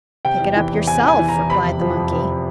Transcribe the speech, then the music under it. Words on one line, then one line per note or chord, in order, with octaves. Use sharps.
"Pick it up yourself," replied the monkey.
C3 G5
E2
E3
E2
C3 G#5
E2
G#5
E3
A#5
E2
C3 B5
F2
F3
F2
C3